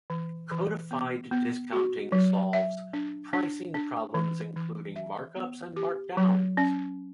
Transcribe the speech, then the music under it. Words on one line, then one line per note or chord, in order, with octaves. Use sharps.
Codified discounting solves pricing problems including markups and markdowns.
E3
E3
B3
B3
F#4
F#3
E5
D4
D4
D4
E3
E3
E5
B3
G4
F#3
C#4